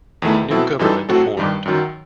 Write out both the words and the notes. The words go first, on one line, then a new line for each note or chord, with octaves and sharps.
New government formed.
E2 D#3 A3 E4
B2 F#3 C4 E4 A4
F#2 E3 G3 D#4 A4
A2 F#3 C4 F#4 A4
G2 D#3 G3
F#2 D#3 F#3